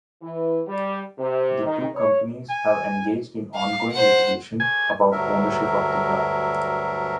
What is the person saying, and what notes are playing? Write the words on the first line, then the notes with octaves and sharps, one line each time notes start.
The two companies have engaged in ongoing litigation about ownership of the brand.
E3
G3
C3
D#3
C#5
G#5
F5
C5 F#5
G#5
D2 G2 F#3 A#4 E5